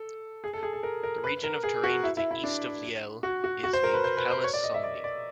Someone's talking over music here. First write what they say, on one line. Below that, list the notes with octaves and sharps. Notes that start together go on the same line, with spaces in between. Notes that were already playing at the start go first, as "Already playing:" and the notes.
The region of terrain to the east of Lyell is named Palus Somni.
Already playing: A4
G#4
A4
G#4
A4
A#4
A#4
B4
A#4
G#4
F#4
E4
E4
E4
D4
F#4
F#4
F#4
C5
A#4
B4
C5
B4
C5
C#5
D5
D#5
E5
D5
D5